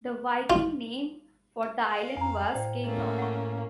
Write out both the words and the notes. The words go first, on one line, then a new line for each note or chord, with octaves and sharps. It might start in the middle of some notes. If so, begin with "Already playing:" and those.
The Viking name for the island was "Keitholm".
F4
F5
F2 G#5 A#5
A2 C5 D5 G5
A3 A#3 C#4
F#5 C#6